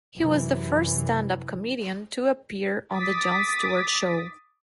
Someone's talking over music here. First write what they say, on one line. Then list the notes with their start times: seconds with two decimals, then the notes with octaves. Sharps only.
He was the first standup comedian to appear on The Jon Stewart Show.
0.16 F#2 C3 E3
2.93 D6 D#6 A6 B6